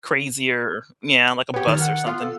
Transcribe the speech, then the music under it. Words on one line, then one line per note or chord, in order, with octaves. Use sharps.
crazier, yeah, like a bus or something.
B3 G4 C#5
D#3 F6 A6
F#5
B3 F4
A4